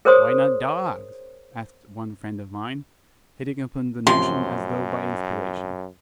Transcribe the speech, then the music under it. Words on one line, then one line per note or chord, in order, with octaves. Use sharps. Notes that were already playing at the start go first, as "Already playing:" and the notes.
"Why not Dogs?" asked one friend of mine, hitting upon the notion as though by inspiration.
G#4 A#4 C5 C#5 C6 D#6
A1 F#2 C3 F3 C6